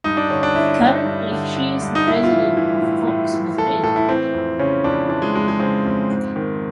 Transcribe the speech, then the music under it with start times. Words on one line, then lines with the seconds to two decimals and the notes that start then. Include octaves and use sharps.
Currently she is the president of Vox Madrid.
0.04 G2 D#4
0.17 D4
0.30 D3 C#4
0.43 D4
0.55 D3 E4
0.81 G2
1.06 G2
1.32 D3
1.56 D3
1.82 G2
1.95 D#4
2.07 A2 E4
2.24 F4
2.32 E3
2.57 E3
2.82 A2
3.07 A2
3.33 E3
3.58 E3 A4
3.83 A2 A4
3.96 E4
4.08 E3 C4
4.34 F2
4.59 C#3 C#4
4.84 F2 D4
5.09 E3 D4
5.22 G#3
5.35 F2 G#3
5.48 G#3
5.60 C#3 C4
5.85 F2
6.10 G#2
6.36 D#3